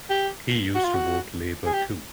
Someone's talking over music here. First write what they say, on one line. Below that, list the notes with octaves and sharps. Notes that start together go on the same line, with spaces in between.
He used to vote Labour, too.
G4
F#4
F4
F#4
G#4
G4